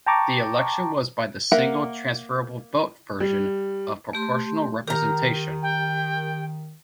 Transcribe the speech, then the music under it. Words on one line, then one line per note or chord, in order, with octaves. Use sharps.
The election was by the single transferable vote version of proportional representation.
G5 A5 A#5 C#6 D6
A#3 A#4 E5 F#5
G3
A3 G4 C6
D#3 G4 A#4 A#5
G5